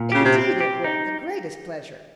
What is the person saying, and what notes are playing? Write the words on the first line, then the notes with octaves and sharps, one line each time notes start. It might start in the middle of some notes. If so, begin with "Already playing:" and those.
"Indeed it will; the greatest pleasure."
Already playing: A#2
C#3 G4
C3
C4
G4
D#4